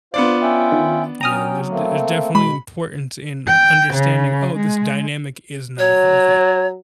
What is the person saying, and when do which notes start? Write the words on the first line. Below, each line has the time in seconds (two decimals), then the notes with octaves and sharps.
Yeah, there's d there's definitely importance in understanding, "Oh, this dynamic is not healthy."
0.14 B3 D4 F4 C5 D5 F5
0.42 C#4 E5 G5
0.72 D#3
1.21 F#3 C#4 G5 A#5 D#6 F6
1.70 A3 A#3 C4
2.35 B2 G#3 B5
3.47 G5
3.94 C#3
4.56 G#3
5.79 F#3 C#5